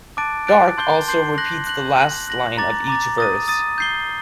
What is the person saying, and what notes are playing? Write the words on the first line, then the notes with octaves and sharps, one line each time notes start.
Darke also repeats the last line of each verse.
A5 D6 F#6 A6 D7
A5 D6 F#6 A6 D7
A5 C6 G6 C7 G7
A5 C6 G6 C7 G7
F#6 A#6 F#7
F#6 A#6 F#7
F#6 A#6 F#7
F#6 A#6 F#7
A#5 D6 A6
A#5 D6 A6
D#6 A6 D#7
D#6 A6 D#7
G6 C7 G7